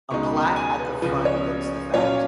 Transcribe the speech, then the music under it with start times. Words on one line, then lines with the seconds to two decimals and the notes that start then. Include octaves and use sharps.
A plaque at the front notes the fact.
0.11 C#2 B2 G#3 D#4 C#6
0.26 B5
0.40 A#5
0.56 G#5
0.79 B4
1.02 C#2 C#3 F3 B4
1.25 C#5
1.93 A#2 F#3 C#4 F4 C#5